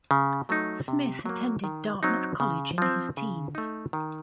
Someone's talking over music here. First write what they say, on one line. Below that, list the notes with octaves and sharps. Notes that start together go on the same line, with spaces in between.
Smith attended Dartmouth College in his teens.
C#3
F#3 A3 D#4
C3
F#3 A#3
D#3
F#3 C4 D#4
C#3
F3 C4
C#3
A3 D#4
D#3